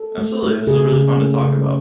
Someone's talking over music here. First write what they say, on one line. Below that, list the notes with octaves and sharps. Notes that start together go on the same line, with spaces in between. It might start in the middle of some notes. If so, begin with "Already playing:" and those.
Absolutely, this was really fun to talk about.
Already playing: A4
A3
A3
C#3 G#4
C#3
A3
C#3